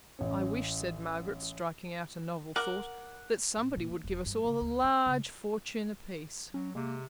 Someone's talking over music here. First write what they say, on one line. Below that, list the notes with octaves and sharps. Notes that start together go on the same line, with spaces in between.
"I wish," said Margaret, striking out a novel thought, "that somebody would give us all a large fortune apiece!"
A1 C#4
A#4 F#5 D6
A2
A#2
F3
E1
G2
C#3
D2
B3
C#3
F#3 C#4
C3 G#3 A#3